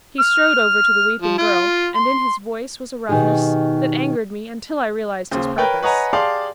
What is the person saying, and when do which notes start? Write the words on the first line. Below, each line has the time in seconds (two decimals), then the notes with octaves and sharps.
He strode over to the weeping girl, and in his voice was a roughness that angered me until I realized his purpose.
0.20 F6
1.22 F3
1.38 F4
1.95 C6
3.09 B2 D#3 D#4 G4 G#4
5.31 D#2 C#3 C5
5.58 A#4 B4 C#5 G5
5.82 B4 C#5 D#5 F#5 G#5 A#5
6.13 G4 G#4 D5 F5 A5 C6